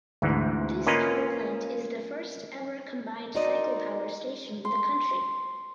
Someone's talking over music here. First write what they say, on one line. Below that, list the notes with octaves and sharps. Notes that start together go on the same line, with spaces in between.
This Power Plant is the first ever combined cycle power station in the country.
D2 G#2 E3
A#3 C#4 F4 B4 D#5 A#5
D#4 F#4 A#4 C5 D5 D#5
C6